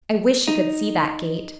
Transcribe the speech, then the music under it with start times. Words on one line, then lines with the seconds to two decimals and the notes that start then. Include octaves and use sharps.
I wish you could see that gate.
0.48 D#4